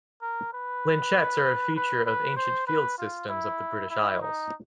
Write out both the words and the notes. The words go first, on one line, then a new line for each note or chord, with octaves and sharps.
Lynchets are a feature of ancient field systems of the British Isles.
A#4
B4
B4
B4
C5
B4
F4
E4
E4
D#4